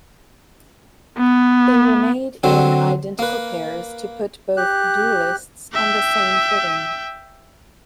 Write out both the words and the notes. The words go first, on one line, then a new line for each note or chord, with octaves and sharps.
They were made in identical pairs to put both duellists on the same footing.
B3
D3 F#3 C4
A#3 B4
G4 F#6
E5 G5